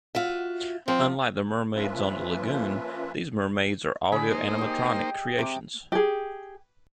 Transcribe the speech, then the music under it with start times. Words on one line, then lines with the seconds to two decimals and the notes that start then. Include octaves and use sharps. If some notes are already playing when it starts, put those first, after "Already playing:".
Unlike the mermaids on the lagoon, these mermaids are audio-animatronic creations.
0.15 F4 F#4 E5
0.88 F3 C4
1.75 F3 A#3 C#4 F4 B4 E5
4.12 D3 G#4 B5
4.30 A#3 D#4 C5
4.58 G4 D#5
5.38 C3 D6
5.92 G4 G#4